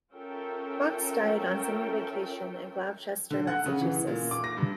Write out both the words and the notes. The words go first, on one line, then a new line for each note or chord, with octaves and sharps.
Cox died on summer vacation at Gloucester, Massachusetts.
C#4 F4 A4 A#4 E5 G5
D3
F#5
C#3
E3
A#2
D6
A#6
G2